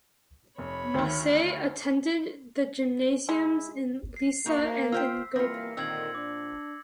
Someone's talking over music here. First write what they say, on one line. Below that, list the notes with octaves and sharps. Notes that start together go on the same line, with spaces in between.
Mosse attended the "gymnasiums" in Lissa and in Goben.
F1 C#5 B5
D2 D#3
G#3 E4
C7
A#3 D#4 F#4 A#5
F4 C5 G5 E6 B6
E3 G3 A#3 C4 F4 A#6 C#7
A#2 D3 D#3 C4 E6 G#6 F#7
D4 D6